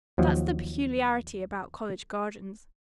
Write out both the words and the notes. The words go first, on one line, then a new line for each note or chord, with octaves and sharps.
That's the peculiarity about college gardens.
D#2 F3 F#3